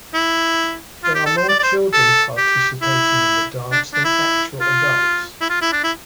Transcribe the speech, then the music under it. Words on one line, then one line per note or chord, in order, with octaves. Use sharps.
There are more children participating in the dance than actual adults.
E4
F4
G4
A4
C5
D5
D5
C5
A4
G4
E4
D4
D4
E4
F4
E4
F4
E4
D4
E4